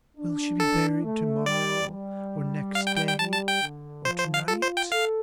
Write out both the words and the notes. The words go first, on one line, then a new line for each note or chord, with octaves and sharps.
'Will she be buried to-morrow, or next day, or to-night?
D4
A4
A3
G3 D5
G3
F5
G5
G5
G5
G3 A5
A5
G5
D3
F3 C5
C5
F5
F4 A4
C5
G5
A4 F5